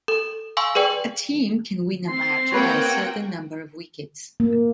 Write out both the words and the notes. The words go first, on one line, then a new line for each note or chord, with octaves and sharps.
A team can win a match by a certain number of wickets.
A4
F5 G#5 C6 C#6 E6
G#4 B4 D5 G5
C4 C6
A#3 G4 B4 C#5 F#5 G5
A#3